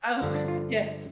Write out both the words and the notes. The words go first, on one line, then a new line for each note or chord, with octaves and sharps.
Oh, yes.
G2 D3 F3
D4
F4